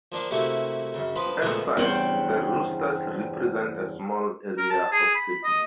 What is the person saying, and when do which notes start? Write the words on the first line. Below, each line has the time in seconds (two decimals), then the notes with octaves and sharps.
As such, the Roosters represent a small area of Sydney.
0.12 F3 A#3 D4
0.31 C3 A3 A#3 E4 F#4 G4
0.94 F#2 C#3
1.16 F3 F4 B4 B5 D#6
1.42 A#2 C#3 F3 G#3 A3 B3
1.77 E2 G2 C#3 C4 F#5 G5
4.57 A#4
4.70 A5
4.92 G#4
5.15 B5
5.44 D#5